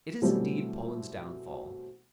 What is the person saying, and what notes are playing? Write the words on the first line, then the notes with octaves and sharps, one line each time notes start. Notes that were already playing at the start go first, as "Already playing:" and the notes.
It is indeed Poland's downfall.
B2 E3 F#3 G3 A3 C4